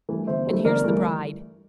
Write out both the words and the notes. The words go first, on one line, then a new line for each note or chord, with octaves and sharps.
And here's the Bride!
G2 E3 A3
G1 C5 E5
G2 E3 A3
G1 A#4 D5
G2 E3 A3